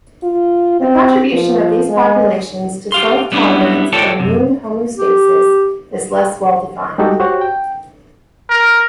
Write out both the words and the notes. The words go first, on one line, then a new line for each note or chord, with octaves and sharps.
The contribution of these populations to self-tolerance and immune homeostasis is less well defined.
F4
C4
F3
G#3
G4 F5 C6
G3 B3 C#4 D4 E4
F4 A4 C#5 D5 G5 A5
F#2 C3
G4
G3 G#3 D#4 F#4 G4 A4
F#4 G4 C5 C#5 F#5
G5
A#4